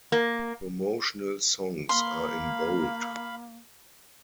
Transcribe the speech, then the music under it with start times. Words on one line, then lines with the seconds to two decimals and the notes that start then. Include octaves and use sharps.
Promotional songs are in bold.
0.12 A#3
1.89 A#3 F5 B5 C6